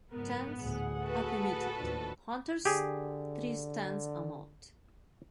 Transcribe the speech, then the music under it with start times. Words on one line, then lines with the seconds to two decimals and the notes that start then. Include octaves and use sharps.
Tents are permitted; hunters' tree stands are not.
0.11 F#1 G#2 B3 A#4
0.58 A1 D2 A2 G#4 F#5
1.03 F#4 A4 B4
1.79 D#2 A2 F3 D4
2.65 D3 G4 G#4